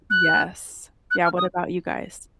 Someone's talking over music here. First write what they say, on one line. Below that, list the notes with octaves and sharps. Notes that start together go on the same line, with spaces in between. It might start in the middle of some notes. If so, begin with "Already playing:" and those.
Yes. Yeah. What about you guys?
F#6
F#6
F6
D#6